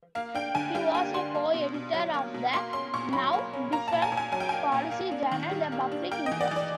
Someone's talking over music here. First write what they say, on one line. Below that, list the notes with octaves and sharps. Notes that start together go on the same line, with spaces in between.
He was a co-editor of the now-defunct policy journal "The Public Interest".
A#3 F5
D4 G5
D3 G#5
G3 G5
A#3 G#5
D4 C6
A#3
B2
B2
F#3
A#3
B2
A#3 C6
C#4 C6
A#2 C#6
F#3 B5
A#3
C#4
A#3 A#5
A#2 A5
G#5
A#2
G#5
F#3 G#5
G5
A#3 G#5
A#2
A#3
D4
D#3
G3
A#3
D4
A#3 G5
D#5
E3
D5
E3 D5